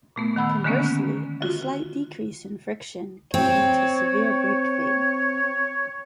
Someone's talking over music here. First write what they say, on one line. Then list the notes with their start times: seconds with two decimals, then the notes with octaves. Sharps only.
Conversely, a slight decrease in friction can lead to severe brake fade.
0.16 A#2 A3 B3
0.36 D#3 F#5 B5 E6
0.64 D3 D#3 G#3 A#3 B3 C#4
1.42 F4 F#4
3.34 C4 C#5